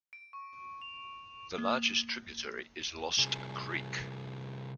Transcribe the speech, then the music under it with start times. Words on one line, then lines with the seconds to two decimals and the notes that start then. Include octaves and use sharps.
The largest tributary is Lost Creek.
0.13 D7
0.33 C#6
0.82 F7
1.58 A#3
3.18 C2 G#4